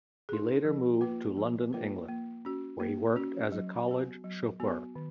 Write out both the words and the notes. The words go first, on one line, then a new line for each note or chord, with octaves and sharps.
He later moved to London, England, where he worked as a college chauffeur.
D#4 G#4
F3
A#3 F4 B4
F3
A#3 F4 B4
A#3
C#4 F#4
A#3
C#4 F#4
F#3
B3 F#4
F#3
B3 F#4
D#3